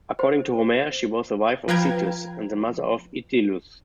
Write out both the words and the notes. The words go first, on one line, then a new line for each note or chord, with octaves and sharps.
According to Homer she was the wife of Zethus, and the mother of Itylus.
C5
F3 B4 F5 G5 A#5 G#6